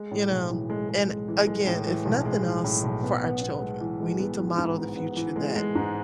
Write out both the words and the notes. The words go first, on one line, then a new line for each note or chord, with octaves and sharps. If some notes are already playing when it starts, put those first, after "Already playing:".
you know, and again, if nothing else for our children, we need to model the future that
Already playing: G#3
A2
B1
E3
G#3
G#3
G#3
E3
G#3
A2
E3
B1
G#3
E3
A2
B1
B3
B3
B3
G#3
E3
G#3
B3
E3
G#2
B3
B3
E3
G#3
G#3
G#2